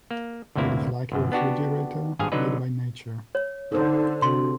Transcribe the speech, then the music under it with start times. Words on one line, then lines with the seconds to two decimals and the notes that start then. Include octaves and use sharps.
It is like a refrigerator made by the nature.
0.11 A#3
0.55 G1 D2 C3 A#3 E4
1.12 G1 F#2
1.32 B3 D4 F#4 G4
2.19 G#1 G2 G#4 F5 G#5
2.32 D3 F#3 D#4 B4
3.35 C#5
3.72 D3 D#4 A4 C5
4.22 C3 D4 F#4 C6